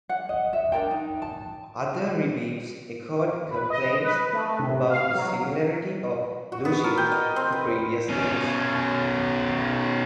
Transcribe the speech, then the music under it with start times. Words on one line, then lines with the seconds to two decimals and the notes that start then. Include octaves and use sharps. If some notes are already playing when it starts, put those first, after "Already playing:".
Other reviews echoed complaints about the similarity of "Blue Shift" to previous games.
0.09 F#5
0.29 D#5
0.53 E5
0.72 D4 A4 A#4 G5
0.91 D#4
1.22 A5
3.51 B4
3.70 D#5
4.02 B4
4.33 A3
4.59 C3
4.90 F5
5.15 F#3
6.52 F#4
6.65 B3
6.84 A#4
6.97 G5
7.12 D#5
7.36 C4
7.52 B4
8.09 B2 C#4